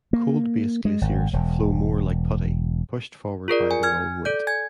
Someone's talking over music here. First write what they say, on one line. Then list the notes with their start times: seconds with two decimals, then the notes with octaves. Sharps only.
Cold-based glaciers flow more like putty, pushed forward by their own weight.
0.13 A#3
0.85 G#3
1.01 G#1
1.33 E1
3.48 F4 G#4 A#4 D5
3.71 G#5
3.83 G#5 F6 G#6
4.25 A4 D5 G6
4.47 G#5 G#6